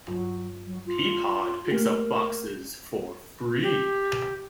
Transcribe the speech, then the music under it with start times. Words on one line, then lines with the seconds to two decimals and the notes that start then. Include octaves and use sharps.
Peapod picks up boxes for free.
0.08 G2 F#3
0.67 F#3
0.86 F4
1.71 A3 A#3 G4 A#4
3.63 G4